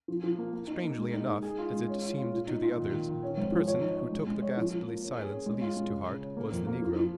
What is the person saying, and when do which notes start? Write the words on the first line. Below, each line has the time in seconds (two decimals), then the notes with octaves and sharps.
Strangely enough, as it seemed to the others, the person who took the ghastly silence least to heart was the negro.
0.08 F3
0.24 F3
0.38 A#3
0.53 A#3
0.67 D#4
0.83 A#3
0.98 G#3
1.13 D#4
1.27 D#4
1.43 G#4
1.58 F4
1.72 G#3
1.88 C#4
2.02 F4
2.18 F4
2.32 A#2
2.48 D#4
2.62 A#2
2.78 D#3
2.92 D#3
3.07 D#3
3.22 C#4
3.37 G#2
3.52 F3
3.68 C#5
3.82 D#4
3.97 C#5
4.12 G#3
4.27 G#3
4.42 C#5
4.57 F3
4.71 F3
4.88 A#3
5.02 C#4
5.17 G#4
5.31 C#4
5.46 G#3
5.61 F4
5.77 G#3
5.92 C#3
6.07 C#3
6.21 C#4
6.37 A#3
6.52 F2
6.67 A#3
6.82 F3
6.96 F3